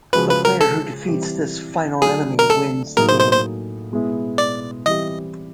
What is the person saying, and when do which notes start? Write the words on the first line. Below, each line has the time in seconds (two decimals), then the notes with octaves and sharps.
The player who defeats this final enemy wins the game.
0.13 C#3 F3 G#3 C#4 F#4 B4
0.30 B4
0.45 A#4
0.61 A4
1.08 E3 G3 C4 E4 G4
2.02 D3 F#3 A3 G#4
2.39 A#4
2.50 A4
2.97 A2 F#3 A#3 D#4 G#4 A#4
3.09 C5
3.20 C5
3.33 C5
3.91 B2 G#3 B3 E4
4.38 D5
4.86 E3 G3 C4 E4 G4 D#5